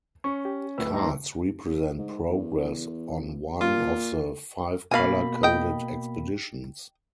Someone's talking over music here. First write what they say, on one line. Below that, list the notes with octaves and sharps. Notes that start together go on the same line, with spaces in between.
Cards represent progress on one of the five color-coded expeditions.
C#4 C#6
G4
D1 A2 B4 E6
D#4 A#5 C6
G#2
E2
A#2 F4
B2 A#3 F5 G#5 B5
D#5 G5